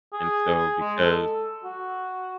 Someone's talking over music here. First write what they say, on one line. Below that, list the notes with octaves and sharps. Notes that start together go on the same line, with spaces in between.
And so, because,
G#4
G#3
A4
F#4